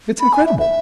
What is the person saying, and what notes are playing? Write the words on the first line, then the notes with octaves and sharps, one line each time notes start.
It's incredible!
B5
G#5
E5
E5